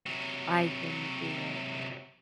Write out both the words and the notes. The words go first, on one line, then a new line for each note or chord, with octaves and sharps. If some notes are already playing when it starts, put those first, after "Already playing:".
I've been through it where
C3 F#3